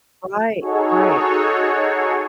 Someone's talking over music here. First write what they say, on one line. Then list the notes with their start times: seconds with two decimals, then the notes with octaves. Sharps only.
Right, right,
0.61 D#4 F#4 G#4 A4 C#5